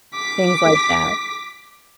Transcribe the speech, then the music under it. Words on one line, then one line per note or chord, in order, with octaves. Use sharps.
things like that.
D6 B6